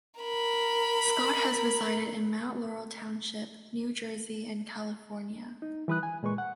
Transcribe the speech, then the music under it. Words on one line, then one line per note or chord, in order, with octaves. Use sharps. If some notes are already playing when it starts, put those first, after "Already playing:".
Scott has resided in Mount Laurel Township, New Jersey, and California.
A#4 B5
D#4
E3 G3 B4 B5 D#6 F#6
G#5
A#2 G#3 B4 C#6
F#5